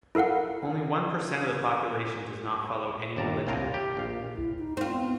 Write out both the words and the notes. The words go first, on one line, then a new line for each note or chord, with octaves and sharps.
Only one percent of the population does not follow any religion.
E4 A4 A#4 F5 F#5
G1 D#2 D5 A5 A#5
C2 A2 C4 F4 A#4 A#5
G4
A#1 F5
E4
D#4
C4 D#4 F4
B3